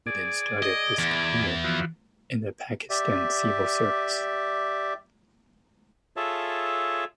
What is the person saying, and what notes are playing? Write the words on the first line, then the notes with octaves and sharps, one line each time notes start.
Uddin started his career in the Pakistan Civil Service.
G#4 D5
D#5
E2
E3 F3 F#4
G4 D5 E5
F4 G#4 A4 C#5 E5 A5